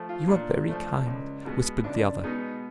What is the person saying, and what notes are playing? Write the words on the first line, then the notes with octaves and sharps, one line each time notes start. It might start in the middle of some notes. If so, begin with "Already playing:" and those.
"You are very kind," whispered the other.
Already playing: F3 A3
F4
A#2 D4
F3 A3
C#2
B2 G#3 B3
C#2 D4
B2 G#3 B3 D#4